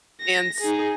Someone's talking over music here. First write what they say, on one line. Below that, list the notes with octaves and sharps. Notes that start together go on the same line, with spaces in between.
and s
A#6
D#4 G#4